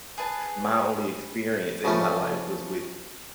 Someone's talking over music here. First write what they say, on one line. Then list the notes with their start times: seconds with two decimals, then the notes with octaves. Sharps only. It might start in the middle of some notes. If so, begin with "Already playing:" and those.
my only experience, in my life, was with
0.18 G#4 B4 A5
1.84 C#3 F3 A3 C#4 B4